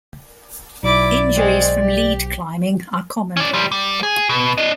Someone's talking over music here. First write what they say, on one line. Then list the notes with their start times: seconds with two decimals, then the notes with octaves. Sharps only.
Injuries from lead climbing are common.
0.83 B1 E4 D5 D6
1.34 G#3 C4
1.80 G4
3.37 C#4 D5
3.54 F3 G3
3.72 G3
4.03 G#4
4.29 B2
4.58 D4 D#5